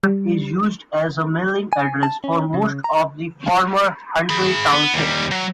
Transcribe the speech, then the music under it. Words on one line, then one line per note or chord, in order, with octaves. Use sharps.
Carp is used as a mailing address for most of the former Huntley Township.
G3
G#5
A5
C#4
C#3
A#5
G#4 B5
B3
D#2 G3
F#3